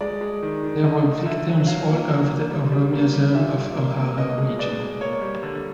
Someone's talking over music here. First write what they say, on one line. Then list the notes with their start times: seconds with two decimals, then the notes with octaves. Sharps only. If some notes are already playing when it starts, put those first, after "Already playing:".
There were victims all over the Oromia Zone of Amhara region.
0.01 G#3 D5
0.21 G#3
0.43 D#3
0.63 D#3
0.84 D3 D#5
1.04 A3
1.26 D3 E5
1.47 F#3
1.67 F#3 F5
1.88 A#3
2.09 F#3
2.30 A#3
2.51 G3
2.72 G3
2.92 A#3
3.13 G3
3.34 A#2 E5
3.55 G3
3.76 A#3
3.97 A#3
4.17 B2 D#5
4.38 G#3
4.59 B2 D5
4.80 G#3
5.01 A#3 C#5
5.21 G3
5.43 D3